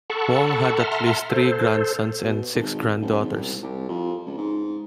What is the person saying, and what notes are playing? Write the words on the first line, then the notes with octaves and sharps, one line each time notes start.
Wong had at least three grandsons and six granddaughters.
A4 F#5 A5 B5 C#6
E5 F#5 A5 A#5 C6 F6
A4 C5
B2
G#1
F#1
G#1
C2
C2
F2
C#2
G#2